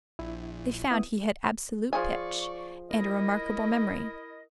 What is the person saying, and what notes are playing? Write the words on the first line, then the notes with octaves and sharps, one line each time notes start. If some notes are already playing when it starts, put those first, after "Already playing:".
They found he had absolute pitch, and a remarkable memory.
A#1 E4
B3 E4 D#6
F3 G#4 D5 G#5 C#6
E4 A#4 D#5